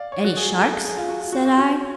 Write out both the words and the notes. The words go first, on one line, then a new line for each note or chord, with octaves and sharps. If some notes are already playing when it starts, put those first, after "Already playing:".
"Any sharks?" said I.
Already playing: D5 F5
C#5
F#4
G#4
G#4
A4
G#4
G#4
F4
F#4
F4
F#4
F#4
F#4
C#5